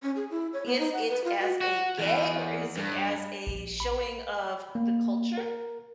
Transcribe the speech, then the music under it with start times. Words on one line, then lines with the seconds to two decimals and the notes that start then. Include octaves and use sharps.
Is it as a gag, or is it as a showing of the culture,
0.03 C#4
0.16 G#4
0.30 E4
0.53 C#5
0.66 B3
0.79 D#4
0.92 F#5
1.09 B4
1.24 F4
1.40 F#4
1.61 F#4
1.99 E2
2.77 G2
3.47 A#1
3.80 B5
4.75 A#3
5.38 A#4